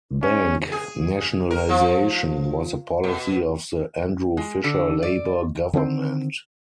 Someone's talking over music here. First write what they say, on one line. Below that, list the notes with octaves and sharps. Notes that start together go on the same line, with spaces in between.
Bank Nationalisation was the policy of the Andrew Fisher Labor Government.
C#4
G#4
A#4
F3
B2
G#3
D3
D5
D3 D#3 A3 C4